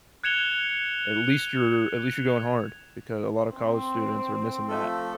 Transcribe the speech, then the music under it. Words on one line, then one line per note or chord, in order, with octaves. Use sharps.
at least you're at least you're going hard, because a lot of college students are missing that.
F#6 G#6 C#7 E7 F7 G7
C4
F3 A3 A4